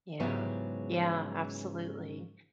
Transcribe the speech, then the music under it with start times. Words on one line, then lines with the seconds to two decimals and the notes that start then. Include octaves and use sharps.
Yeah, yeah absolutely.
0.20 G#2 C#3 F#3 B3 E4 G4